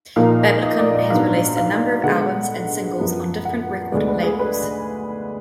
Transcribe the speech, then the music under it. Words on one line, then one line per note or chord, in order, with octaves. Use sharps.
Bablicon has released a number of albums and singles on different record labels.
A#2 F3 A#3 D#4 F5
D#5
D5
D#5
G#2 F#3 B3 D4 F5
F5
D3 G#3 B3 F#5
F#2 F3 B3
F#5
D2 D3 G#3 B3 D5
B4
G#4
B4